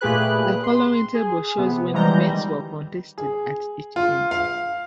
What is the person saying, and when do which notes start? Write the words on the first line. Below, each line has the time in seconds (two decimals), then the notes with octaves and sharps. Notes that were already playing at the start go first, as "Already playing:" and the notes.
The following table shows when events were contested at each Games.
0.01 A#2 A3 G4 G#4 B4 F#6
0.64 C6
1.15 G#4
1.58 C3 B3
1.93 E3 F3 G3 G#3 A#5 G6
2.25 D#3 G3
3.18 G#4
3.96 F4
4.31 F5